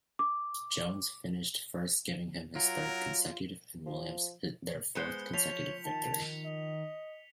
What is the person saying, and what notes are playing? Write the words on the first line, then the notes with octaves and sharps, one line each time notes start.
Jones finished first giving him his third consecutive and Williams their fourth consecutive victory.
D6
F#3 F4 A#4
F3
G#3 B3 C5 C#7 G7
F3 C#5 B6 F7
D#3 A5
D#5